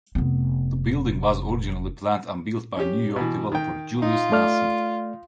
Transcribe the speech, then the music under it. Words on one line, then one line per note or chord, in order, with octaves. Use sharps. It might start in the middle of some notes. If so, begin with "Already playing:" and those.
The building was originally planned and built by New York developer, Julius Nelson.
F1 B3
C#4 G4
B2 E3
D#3 G5
D#4 F4
A3 D5 F6